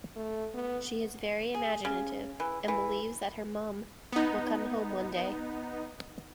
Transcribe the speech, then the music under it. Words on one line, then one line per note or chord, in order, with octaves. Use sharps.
She is very imaginative and believes that her mum will come home one day.
A3
B3
G#4
C#3
E3
E3
B3 D#4